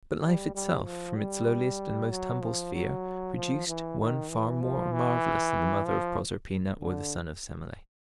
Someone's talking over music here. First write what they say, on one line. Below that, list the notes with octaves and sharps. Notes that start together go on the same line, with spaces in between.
But Life itself from its lowliest and most humble sphere produced one far more marvellous than the mother of Proserpina or the son of Semele.
G3
G3
F3
G3
F#3
F3
F#3
F3
E3
D#3
E3
F3
E3
F3
D3